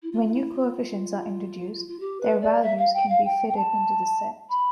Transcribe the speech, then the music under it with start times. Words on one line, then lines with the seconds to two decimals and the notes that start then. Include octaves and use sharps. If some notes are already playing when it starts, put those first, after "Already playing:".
When new coefficients are introduced, their values can be fitted into the set.
0.03 E4
0.12 F4
0.33 E4
0.54 F4
1.88 F4
2.00 G4
2.21 B4
2.41 D5
2.62 E5
2.78 F5
2.93 G5
3.09 F5
3.25 G5
3.49 G5
3.56 A5
4.50 B5